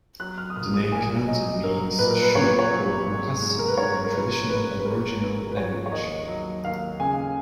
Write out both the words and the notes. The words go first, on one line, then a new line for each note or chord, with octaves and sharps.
The name Pinantan means shoe or moccasin in traditional Aboriginal language.
F#3 F#6
F6
D#6
A#2 F6
D#6
A#2 G#5
F#3 D#5
F#3 A#4
A#2 B4
A#4
B4
A#2 C#5
B4
C#5
F#3
G#2
G#3
A#4
B4
G#2 C#5
A#4
F3 B4
G#2 B4
B4
G#3 A#4
G#2 B4
B4
F3 C#5
C#5
D#2 D#5
F#3 D#5
D#2 F5
C#3 G#5